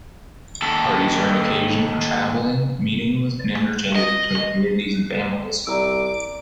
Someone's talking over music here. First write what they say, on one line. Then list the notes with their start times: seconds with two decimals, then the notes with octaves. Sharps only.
Parties are an occasion for traveling, meetings, and interchanges between communities and families.
0.62 D#2 A4
3.96 D#5
5.67 C2 D5 A#5 D6 E6